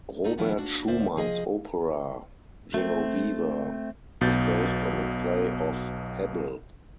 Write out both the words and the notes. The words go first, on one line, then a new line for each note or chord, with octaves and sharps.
Robert Schumann's opera "Genoveva" is based on a play of Hebbel.
A3 D#4 F4 F#4 A4
D#3 F3 B3 D4 E4 F4
A#3 D4 F#4
D2 C#4 C5 D5 E5
C3 F3 G#4 D#5
A3 C4
B1 B2 G6 A6